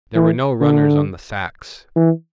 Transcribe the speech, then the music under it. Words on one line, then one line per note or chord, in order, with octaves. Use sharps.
There were no runners on the sacks.
E3
D3
E3